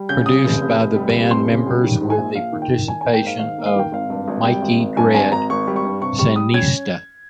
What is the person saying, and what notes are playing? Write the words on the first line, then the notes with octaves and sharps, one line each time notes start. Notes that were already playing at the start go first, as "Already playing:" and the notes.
Produced by the band members with the participation of Mikey Dread, Sandinista!
Already playing: G3
C#3 G6
C#3 D#6
F1
F1
F1
G3
F1
F2 C6
C#3
G3
D#3
G#2
G#5
A#1
A#1 F5
D#3
G5
D#3
D#3 G#5
A#3 G#5
G5
G#2 F5
D#3 F5
A#3
F5
D#3 G5
G#1 F5
G2
G#1
G3 G5
G#1
G#1
G2 G#5
G#1 G#5
G#1 A#5
G#1 C#6
G3
C#6
G2
C3 C#6
G3 C#6
G3 D#6
C#4 G#6